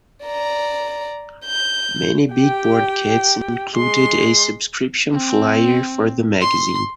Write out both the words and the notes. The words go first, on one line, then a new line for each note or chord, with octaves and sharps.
Many Big Board kits included a subscription flyer for the magazine.
D5 A#5
G6
G4 G5
G#3 C6
C4
C6